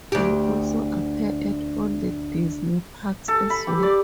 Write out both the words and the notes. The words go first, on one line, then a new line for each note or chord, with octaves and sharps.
They also appear at all the Disney Parks as well.
D2 G4
A4
B5
G4
D5